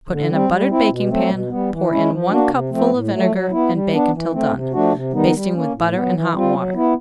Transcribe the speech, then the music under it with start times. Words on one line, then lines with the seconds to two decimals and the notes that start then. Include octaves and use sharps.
Put in a buttered baking-pan, pour in one cupful of vinegar, and bake until done, basting with butter and hot water.
0.09 D3
0.29 G3 C4
0.49 G3
0.69 C4 E4
0.89 B2
1.09 F#3 A3 C4
1.29 B2
1.49 G3 B3
1.70 E3
1.90 G#3 C#4 E4
2.10 F3
2.30 A#3 D4 F#4
2.50 C3
2.70 F3 A3 C4
2.91 A2
3.11 F#3 A3
3.31 F#3
3.51 B3 E4
3.72 G3
3.92 B3 D4
4.12 E3
4.32 A3 C4
4.52 C3
4.72 F3 A3 D4 F#4
4.92 C3
5.13 D#3 G3 B3 D#4
5.33 G3
5.53 A#3 C#4
5.74 A2
5.93 B3
5.98 F#3
6.13 E3
6.33 G3 C4 F4
6.53 F#3
6.74 B3 E4